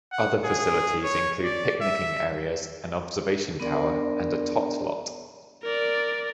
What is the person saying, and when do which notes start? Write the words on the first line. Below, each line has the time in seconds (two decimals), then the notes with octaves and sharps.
Other facilities include picnicking areas, an observation tower, and a tot lot.
0.12 F#5
0.43 G#4
1.03 C#5
1.44 D5
1.81 E5
3.60 B3 D4 A#4 D5 C6
5.63 A#4 D5